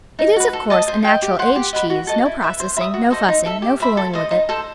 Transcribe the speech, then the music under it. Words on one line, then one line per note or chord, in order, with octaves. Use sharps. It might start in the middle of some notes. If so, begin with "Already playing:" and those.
It is, of course, a natural aged cheese, no processing, no fussing, no fooling with it.
D#4
F#4 B4
A4
D#5 A5 D#6
C5
D#5 G5
G4
C5 F#5 C6
G4
D#5 F#5 B5
F#4
A4 D#5 A5
E4
B4 E5 B5
C5
E5 B5 D#6
F#4
A4 C5 D#5
D#4
A4 E5
G4
C5 E5 B5
A4
C5 D#5
D#4
A4 C5